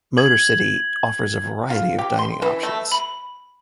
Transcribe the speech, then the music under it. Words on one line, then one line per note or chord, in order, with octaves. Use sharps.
MotorCity offers a variety of dining options.
G#6 F#7
F4
G4
C6
E3
A3
B5